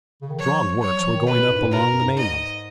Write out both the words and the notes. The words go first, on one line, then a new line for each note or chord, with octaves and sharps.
Strong works were going up along the mainland.
C#3
D#3
F3 C#5
F#3 C#5
F3
D#3
B2 B4
A#2
F#2
G#2
B2 A#4
F#2
G#2
G#2 D#5